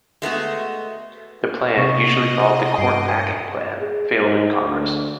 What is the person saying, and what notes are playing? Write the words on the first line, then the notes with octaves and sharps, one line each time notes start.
The plan, usually called the "court-packing plan", failed in Congress.
G#3 A3 B3 F#4
C3 D#5 C#6 A#6
G2 C7 D7
G#4
G#2
D2